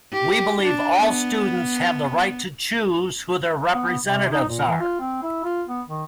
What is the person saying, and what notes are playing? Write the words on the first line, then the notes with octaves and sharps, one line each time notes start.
We believe all students have the right to choose who their representatives are.
G4
D4
B3
B3
B3
C3
D#4
A#2
E3
F4
C4
E4
F4
B3
D#3